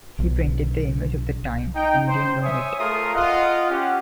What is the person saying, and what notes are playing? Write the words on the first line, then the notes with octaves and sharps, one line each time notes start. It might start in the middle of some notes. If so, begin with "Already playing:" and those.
He painted the image of the time and didn't know it.
B1
D#4 G5
C5
C#5 E5 G#5 D#6
A3 F4 G#4 A#4 C6 D#6
F4 D#5 F#5
C#4 G4 F#5